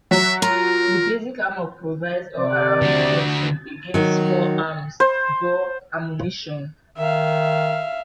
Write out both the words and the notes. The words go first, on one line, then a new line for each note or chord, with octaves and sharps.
The basic armour provides all-around protection against small arms ball ammunition.
F#3 E5
F4 A#4 A#5
C3 D5
D3 F#4
D#3 F#3
C5
D#3 E5 F5